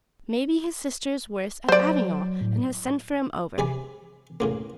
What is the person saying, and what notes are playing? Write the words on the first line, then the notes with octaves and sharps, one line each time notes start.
May be his sister is worse at Avignon, and has sent for him over.
F#3 C5 D5
A2
C3 G#4 D5 B5
A2 C#3 A#3